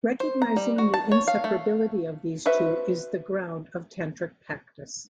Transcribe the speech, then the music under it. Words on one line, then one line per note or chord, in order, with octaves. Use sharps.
Recognizing the inseparability of these two is the ground of tantric practice.
C5
A#5
G3
F#4
A5
C#5
F5
A3
F#4 B4 C5 E5